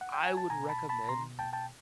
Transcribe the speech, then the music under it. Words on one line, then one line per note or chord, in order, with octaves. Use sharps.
I would recommend
F#5
G5
G#5
A5
B2 G#5 A#5
A5 B5
A5 B5
B2 A#5 C6
G5 A5
G5 A5